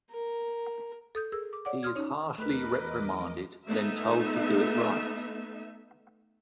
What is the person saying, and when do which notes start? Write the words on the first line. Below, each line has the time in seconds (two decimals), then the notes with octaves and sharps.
He is harshly reprimanded, then told to do it right!
0.11 A#4
1.15 A4 D#6 G6
1.32 G#4 A#4 E6
1.53 D6
1.65 C#5 D5 F#5 D6
1.83 C6 D#6 F6 G#6
1.95 C#4 D#4 C#5
2.38 E2 A3 A#4 B4 D#5 B5 D6 F#6
3.66 A3 B3 D#4 E5